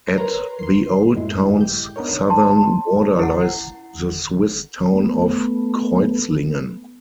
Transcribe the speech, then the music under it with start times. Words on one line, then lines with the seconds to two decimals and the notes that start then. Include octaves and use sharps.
At the old town's southern border lies the Swiss town of Kreuzlingen.
0.17 A#4 B4 C#5 A#5 C6
0.59 C6 C7
0.87 F2
1.15 F#2 A2 G#3 E4
1.57 G4 G6
1.96 B3 D4 D#4 A#4 C#5
2.30 A5 C6
3.19 E4 F#5
4.93 A3 B3